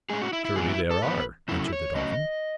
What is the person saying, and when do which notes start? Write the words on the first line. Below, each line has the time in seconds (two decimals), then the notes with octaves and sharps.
"Surely, there are," answered the Dolphin.
0.10 A2 G#3 C#4 G#4
0.22 F#4
0.33 E4
0.45 E4
0.56 G#2 E3 B3 G#4
0.68 E4
0.91 A4
1.02 G#2 E3 B3 B4
1.48 C#3 F#3 A3 C#4 E4
1.73 C#5
1.95 C#3 F#3 A3 C#4 D#5